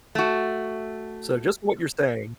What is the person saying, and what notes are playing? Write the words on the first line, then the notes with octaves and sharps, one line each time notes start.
So just what you're saying
A3 F#4